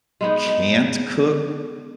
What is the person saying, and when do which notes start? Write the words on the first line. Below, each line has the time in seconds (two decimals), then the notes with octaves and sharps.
can't cook
0.21 G#3 B3 D#4